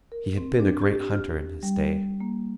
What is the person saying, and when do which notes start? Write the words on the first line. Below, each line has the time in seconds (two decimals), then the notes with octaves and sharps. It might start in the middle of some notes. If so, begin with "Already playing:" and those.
He had been a great hunter in his day.
0.12 A#4
0.37 C4
0.60 D4
0.82 G4
1.14 F6
1.63 G3
2.20 A#3